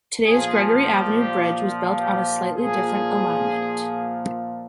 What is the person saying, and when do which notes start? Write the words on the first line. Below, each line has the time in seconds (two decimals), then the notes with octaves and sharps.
Today's Gregory Avenue Bridge was built on a slightly different alignment.
0.24 A#2 F3 G#4
0.82 G4
1.97 G4
2.54 A#2 F3 G#4